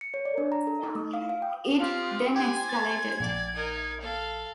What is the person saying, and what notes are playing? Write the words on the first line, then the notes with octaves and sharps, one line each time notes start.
It then escalated.
C#7
C#5
D5
D4
A#5
A4
D#4
A3
F5
F5
G5
C4 F4 G4
G4 C5 G#5 G#6
A6
A#1 D5
D#4 A#4
A4 F5